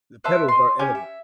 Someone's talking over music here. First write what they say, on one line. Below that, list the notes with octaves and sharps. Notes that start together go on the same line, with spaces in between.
The petals are edible.
B4 C5 E5 A5
D#5 C6
C#4 G4 G#5
E5